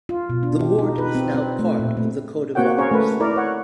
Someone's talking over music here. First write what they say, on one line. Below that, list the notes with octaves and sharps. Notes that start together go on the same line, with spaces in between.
The Warte is now part of the coat of arms.
F4
B2
D4
G4
D#4
B4
C4
C4
A3
A#2
A3
A#3 C4 F#4 C#5 F#5 G5
C#4 G#4 A#4 C5 C#5
A3 B4
E4 A#4 D5
C#5 F#5